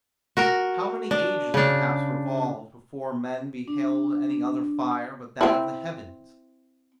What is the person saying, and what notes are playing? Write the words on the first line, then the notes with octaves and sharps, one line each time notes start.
How many ages perhaps revolved, before men beheld any other fire but that of the heavens?
F#4 A#4
D4
C#3 D4
D4
C4 E4